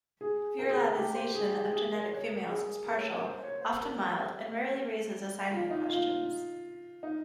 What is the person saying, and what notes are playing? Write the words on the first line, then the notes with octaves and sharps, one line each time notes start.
Virilization of genetic females is partial, often mild, and rarely raises assignment questions.
G#4
A#4
G#4
A#4
G4
C5
G#4
G4
G4
G#4
A#4
C#5
A#4
G#4
A#4
C#5
A#4
C5
C#5
C5
A#4
G4
F4
D#4
F4
D#4